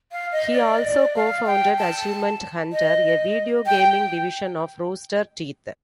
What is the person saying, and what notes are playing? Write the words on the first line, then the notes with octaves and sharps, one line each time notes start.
He also co-founded Achievement Hunter, a video gaming division of Rooster Teeth.
F5
D#5
D5
D#5
D5
F5
G5
A5
D#5
G5